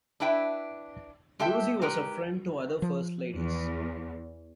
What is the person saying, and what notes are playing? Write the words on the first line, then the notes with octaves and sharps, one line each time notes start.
Lucy was a friend to other First Ladies.
D4 E4 B4 E5 G5
G#3 G4 A4 E5 G5
G#3 D#4 G4 A#4 B4
F3
E2